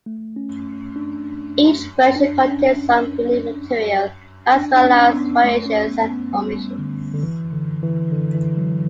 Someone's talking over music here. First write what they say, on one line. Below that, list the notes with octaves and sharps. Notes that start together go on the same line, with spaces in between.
Each version contains some unique material, as well as variations and omissions.
A3
C#4
D4
D4
C#4
D4
D4
C#4
B3
A3
C#4
B3
B3
G3
D3
D3
E3
D3
E3
D3
E3
F#3